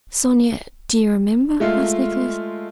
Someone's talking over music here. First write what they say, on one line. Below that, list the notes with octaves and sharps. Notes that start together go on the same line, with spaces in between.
"Sonya, do you remember?" asked Nicholas.
G#3 A3 F4